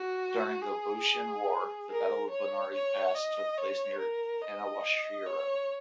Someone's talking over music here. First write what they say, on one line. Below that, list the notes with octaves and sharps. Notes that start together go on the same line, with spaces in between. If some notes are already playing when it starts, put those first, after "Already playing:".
During the Boshin War, the Battle of Bonari Pass took place near Inawashiro.
Already playing: F#4
G#4
A#4
C#5
C#5
D#5
C#5
A#4
D#5
C#5